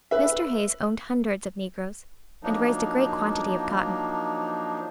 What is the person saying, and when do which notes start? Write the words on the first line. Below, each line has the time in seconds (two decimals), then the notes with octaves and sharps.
Mr. Hayes owned hundreds of negroes, and raised a great quantity of cotton.
0.11 B4 E5
2.43 F3 F#3 A#3 D4 D#4